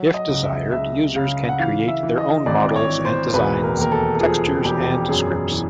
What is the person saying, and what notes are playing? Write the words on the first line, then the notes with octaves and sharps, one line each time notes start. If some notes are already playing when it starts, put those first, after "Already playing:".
If desired, users can create their own models and designs, textures, and scripts.
Already playing: F#3
D#5
C#2
E5
C#2 E5
C#3 F5
F#5
E3 F5
E5
E3
D#5
G#1 D5
C#5
E3
C5
E1 B4
A#4
D#2 A#4
A4
A4
F3 G#4
E1 G4
F#2 G#4
E3